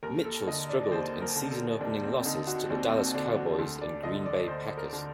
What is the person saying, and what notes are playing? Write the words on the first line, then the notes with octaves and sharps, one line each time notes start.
Mitchell struggled in season-opening losses to the Dallas Cowboys and Green Bay Packers.
D#2 A#4
A4
D3 D#5
D5
D5
D#2 C5
A#4
D3
A4
D#2 D4
C4
D3 D#4
F#4
C4
D#2 D4
C4
D3 D4
F#4
D2
D5
D3 D#5
D5
D2 C5
A#4
D3